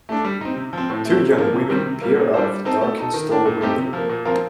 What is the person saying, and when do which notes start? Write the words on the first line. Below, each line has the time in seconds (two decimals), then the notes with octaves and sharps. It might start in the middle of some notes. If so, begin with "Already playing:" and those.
Two young women peer out of a darkened store window.
0.09 A3 D4
0.25 G3
0.41 C4 D#4
0.57 C3
0.73 F3 C4
0.90 A2
1.05 A3 C4
1.22 C3
1.38 F3 A#3
1.53 C3
1.69 D#3 G3 C4
1.86 C3
2.01 G3 A#3
2.18 A#2
2.34 G3 D4 A4 C5
2.49 G3
2.65 C4 D#4 A4 C5
2.81 A3
2.98 D#4 A4
3.14 D#3
3.30 A#3 D4
3.45 A#2
3.61 A3 C4 D#4 G4
3.78 C3
3.93 F3 A#3
4.09 A#2
4.25 F3 C4 F4 A#4